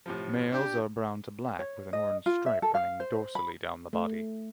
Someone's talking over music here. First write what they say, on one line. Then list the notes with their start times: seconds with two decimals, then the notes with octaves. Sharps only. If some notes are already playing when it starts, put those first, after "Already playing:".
Males are brown to black with an orange stripe running dorsally down the body.
0.06 A2 C3 F3
0.52 D4 G4
1.59 C#5
1.93 D#5
2.26 F4
2.46 E5
2.62 A4
2.75 F5
3.00 C5
3.35 B5
3.93 A3